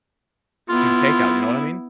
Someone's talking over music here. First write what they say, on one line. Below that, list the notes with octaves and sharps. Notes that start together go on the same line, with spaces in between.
do takeout, you know what I mean.
B3 E4 F4